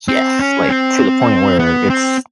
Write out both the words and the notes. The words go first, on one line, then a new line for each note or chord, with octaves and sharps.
Yes. Like, to the point where it's
C4
C#4
C4
B3
C4